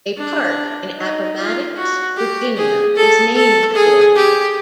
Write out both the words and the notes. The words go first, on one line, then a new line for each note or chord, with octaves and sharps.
A park in Appomattox, Virginia is named for him.
D4
D#4
F4
F#4
G4
G#4
A4
A4
G#4
G4